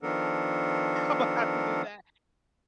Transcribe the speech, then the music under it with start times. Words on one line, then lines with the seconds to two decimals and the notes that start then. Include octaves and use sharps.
imma have to do that.
0.03 D#3 F3 B3 D4 A4 A#4